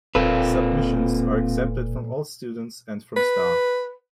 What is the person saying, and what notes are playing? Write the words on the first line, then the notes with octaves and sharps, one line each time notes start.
Submissions are accepted from all students and from staff.
E1 A#2 A#3 C4 F4 A4 B4
B4